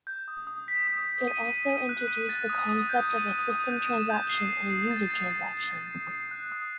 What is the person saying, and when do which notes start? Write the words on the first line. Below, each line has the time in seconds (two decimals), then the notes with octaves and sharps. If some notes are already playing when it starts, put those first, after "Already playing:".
It also introduced the concept of a "system transaction" and a "user transaction".
0.07 G6
0.28 D#6
0.47 D#6
0.68 B6
0.88 D#6
1.08 B6
1.28 D#7
1.49 D#7
1.69 D#7
1.89 F#6
2.08 D#7
2.29 A6
2.49 D#6
2.69 D#6
2.89 G6
3.10 D#7
3.29 D#6
3.50 D#6
3.70 G6
3.90 E7
4.10 G6
4.29 C7
4.50 C7
4.70 C7
4.91 A6
5.10 A6
5.31 A6
5.51 C7
5.71 A6
5.91 C7
6.11 C7
6.31 F#6
6.52 D#6